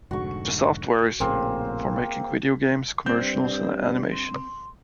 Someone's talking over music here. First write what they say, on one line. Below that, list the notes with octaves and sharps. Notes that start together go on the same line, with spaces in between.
The software is for making video games, commercials, and animation.
F1 G#2 D3 F#4 C#6
A#1 A2 C#3 A#3 C4 G#4
G2 C4 D5 G6
C6